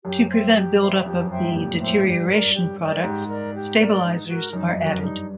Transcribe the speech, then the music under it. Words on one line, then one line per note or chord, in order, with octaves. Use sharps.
To prevent buildup of the deterioration products, stabilizers are added.
F#2 G4
C5 E5 G5
G4
C5 E5 G5
F2 G4
F#2
C5 E5 G5
G#2
A#2 G4
A2
C5 E5 G5
F#2
G2 G4
A#4 D5
G4
A#4 D5
G#2 G4
A#4 D5
G4
A#4 D5
D#4
F#4 A#4
F#2 D#4
F2
F#4 A#4
F#2
G2 D#4